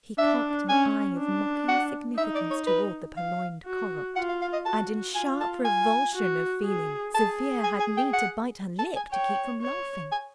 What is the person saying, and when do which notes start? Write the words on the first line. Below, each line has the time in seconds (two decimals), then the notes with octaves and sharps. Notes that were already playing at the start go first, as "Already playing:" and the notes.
He cocked an eye of mocking significance toward the purloined "Corot," and in sharp revulsion of feeling Sofia had need to bite her lip to keep from laughing.
0.18 D4 E5
0.69 C#4 G#5
1.19 D4
1.68 F#5
2.17 D#4 E5
2.35 D5
2.51 C#5
2.67 B4
3.17 F5
3.66 F#4
4.16 F4 F#5
4.29 F5
4.41 F5
4.53 D#5
4.65 F#4 A5
5.15 F4 G#5
5.40 A5
5.65 G#5
6.14 F#4
6.64 G#4
7.14 G#4 A5
7.64 G#5
7.80 G#5
7.97 G5
8.13 F#5
8.79 A5
8.96 G#5
9.12 C#5 G5
9.62 C#5
10.12 G#5